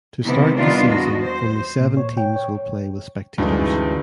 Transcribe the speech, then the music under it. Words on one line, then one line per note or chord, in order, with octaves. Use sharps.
To start the season only seven teams will play with spectators.
C3 D#3 E3 B3
D#3 G3 B3 D4 D#4 F4
E2 F#4 D#5
C5
A#2
C#5
G5
C#5
D2 G2 C#3 E3 G3 G#3 D#4